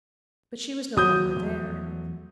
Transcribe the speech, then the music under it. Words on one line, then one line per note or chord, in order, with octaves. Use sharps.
But she was no longer there.
D#2 F#3 D#6 G6
E2 F3 A3